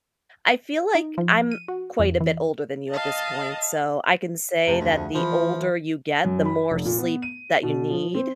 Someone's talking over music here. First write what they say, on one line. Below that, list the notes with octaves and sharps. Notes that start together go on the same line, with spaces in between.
I feel like I'm quite a bit older than you at this point, so I can say that the older you get, the more sleep that you need,
D#4
F3
D#7
F#4
F2
E3
D#5 F5 A5
F2 C3 A3 A5
D2
G#4 F#5
E3 F3 B4
F#2
B5
F1
A#2
B3
D#7
B2
F3
C4